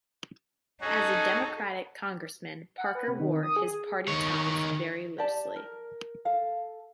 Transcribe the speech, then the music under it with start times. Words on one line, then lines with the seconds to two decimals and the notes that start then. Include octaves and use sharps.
As a Democratic congressman, Parker wore his party ties very loosely.
0.81 C#4 D#4 F#4 G#4 A4
2.78 F#5
2.95 B4
3.08 C3
3.19 D#3
3.43 D#6
3.56 G#4
4.08 D#3 C#5
5.18 G4 D5 A5
5.56 A#4
6.25 A4 F5